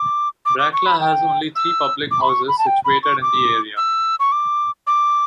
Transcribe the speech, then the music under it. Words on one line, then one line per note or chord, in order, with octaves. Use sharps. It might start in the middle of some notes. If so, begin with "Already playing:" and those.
Brackla has only three Public Houses situated in the area.
Already playing: D6
D6
D6
C#6
B5
G5
E6
D6
B5
C#6
B5
A5
G5
B5
C#6
D6
E6
C#6
D6
D6